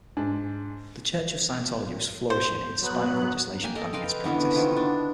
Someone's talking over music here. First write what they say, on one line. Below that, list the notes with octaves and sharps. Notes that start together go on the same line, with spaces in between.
The Church of Scientology was flourishing in spite of the legislation banning its practice.
G#2 D4 G#5
C5
F#3 B3 F#6
A#3 G5 G#5
A4 A#4 D#5 A5
B4 F5 G5 C6
D3 E3 B3 C#4
D#3 F3 B3 E4
B3 D4